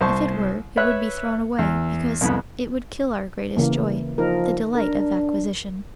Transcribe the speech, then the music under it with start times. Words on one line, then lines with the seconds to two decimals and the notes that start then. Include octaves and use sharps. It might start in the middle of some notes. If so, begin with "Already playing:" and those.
If it were, it would be thrown away, because it would kill our greatest joy--the delight of acquisition.
0.01 C2 C5 A5 C6 C#6
0.77 B4 C#5 E5 F#6
1.59 E2
2.21 C2 F2 B3
3.57 C#3 E3 A#3
4.18 F3 D#4 A#4
4.75 D4 A#4